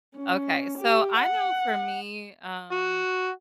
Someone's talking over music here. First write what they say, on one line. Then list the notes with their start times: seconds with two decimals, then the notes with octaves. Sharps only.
Okay, so I know for me, um,
0.16 C#4
0.78 G4
1.17 F#5
2.72 F#4